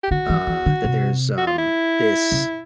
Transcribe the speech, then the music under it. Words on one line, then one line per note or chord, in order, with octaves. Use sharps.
uh, that there's, um, this
G4
D3 F#4
E3
E3
D3
C3
F#4
F4
E4
C#3